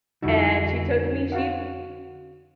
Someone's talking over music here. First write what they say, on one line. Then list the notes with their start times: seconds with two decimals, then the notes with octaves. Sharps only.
and she took me She b
0.22 F2 D3 G3 D#4 E4 F#4
1.32 F#4 F5 F#5